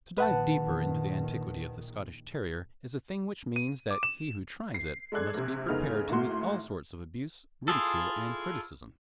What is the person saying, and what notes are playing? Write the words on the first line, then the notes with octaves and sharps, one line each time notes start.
To dive deeper into the antiquity of the Scottish Terrier is a thing which means that he who tries it must be prepared to meet all sorts of abuse, ridicule, and criticism.
A#1 D#3 B4 F#5 A5
D#7
D6
E7
C7
G#3 A4 D5 F#6 G#6
A#1 C3
F1 C#3 B3 D#4 F6
G#1 A2 A#3 F#4 C6
E4 F4 G#4 A4